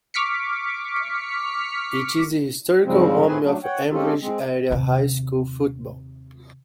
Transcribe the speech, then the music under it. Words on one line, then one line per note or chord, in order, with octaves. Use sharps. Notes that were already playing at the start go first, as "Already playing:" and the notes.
It is the historical home of Ambridge Area High School football.
C#6 D6 F6 B6 C#7
G#2 C#3 F3 G3 G#3 C4
A2 A3 C4 G#4 B4 G#5
F#3 A3 D4
C#5 F#5 G5
G#3 C4 C#4 F4 G4 A4
G#3 C4
D#2 C3